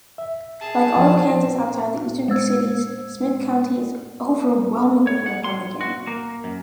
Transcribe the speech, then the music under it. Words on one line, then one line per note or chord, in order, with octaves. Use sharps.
Like all of Kansas outside the eastern cities, Smith County is overwhelmingly Republican.
E5
G#4 A5
F3 C4 C5 D5
G#3 C5 E6 G#6
C#5
F#5
C6
F#4
A#3
F#2